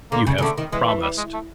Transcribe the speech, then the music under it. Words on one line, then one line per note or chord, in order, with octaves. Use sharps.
"You have promised!"
D3 A#3
C#3
C#3
D3 A3
D#3
E3 G#3
A3
G3
G#3
A3